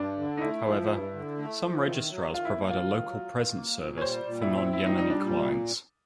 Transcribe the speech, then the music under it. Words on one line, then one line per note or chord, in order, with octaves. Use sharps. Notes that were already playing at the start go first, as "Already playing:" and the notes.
However, some registrars provide a local presence service for non-Yemeni clients.
Already playing: G2 D4
D3
D#4
A3 E4
F3
G2
D3
A3
F3
D#3
F#3
D#3 F4
E4
A#3
F4
D#3
F#3
D#3
A#3
A#2
C#5
G3 C5
A#2
E4
C4
E4
A#2 E4
D#4
G3 D#4
D4
A#2